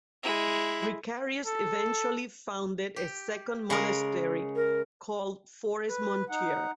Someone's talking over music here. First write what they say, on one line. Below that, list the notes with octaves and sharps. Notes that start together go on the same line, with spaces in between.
Richarius eventually founded a second monastery called Forest-Montier.
G#3 E4
A4
G4
C#3 G#3 A#4
A#4
B4
D#4 F#5